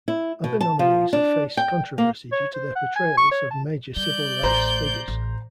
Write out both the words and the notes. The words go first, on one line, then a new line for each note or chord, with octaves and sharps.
Other nominees have faced controversy due to their portrayals of major civil rights figures.
E4
B2
A5
F3
D4
G5
A#3
C#5
C5
F#5
G#5
C#6
C#5
A5
G3 D5 G6
A1 A3 C5 A#5
A1